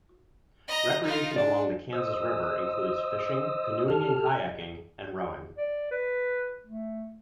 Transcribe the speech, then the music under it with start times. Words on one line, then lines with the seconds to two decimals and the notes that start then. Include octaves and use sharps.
Recreation along the Kansas River includes fishing, canoeing and kayaking, and rowing.
0.68 D#5 A#5
1.04 D#4 F4
1.36 D4 D5
1.93 C5 D#5 D#6 E6
3.88 G4 A4 A5 F6
5.58 D5
5.91 B4
6.65 A3